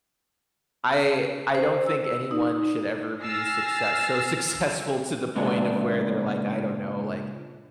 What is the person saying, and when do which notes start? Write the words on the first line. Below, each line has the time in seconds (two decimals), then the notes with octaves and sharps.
I I don't think anyone should ever be a success so successful to the point of where they're like, I don't know, like,
1.55 C5
1.86 E6
2.31 D#4
3.23 G#5 E6 F6 A6 A#6 C7
5.36 A#2 C#3 G#3 B3 D4